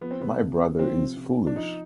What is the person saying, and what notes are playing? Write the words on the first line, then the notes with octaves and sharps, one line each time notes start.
My brother is foolish.
F3 B3
C4
C3 B3
C3
B3
F3 C4
C3
C3
B3
D4
F3 D#4